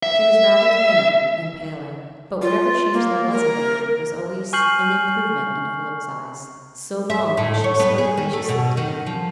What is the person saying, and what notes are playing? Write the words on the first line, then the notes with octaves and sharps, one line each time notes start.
She was rather thinner and paler; but whatever change there was in her was always an improvement in Philip's eyes, so long as she spoke graciously to him.
E5
F4
A#3
A#4
G#5 C#6 F6 G6 C7 F#7
E5
A2
C#5
B3
G#4
D#3
A3
B2
D#3
F3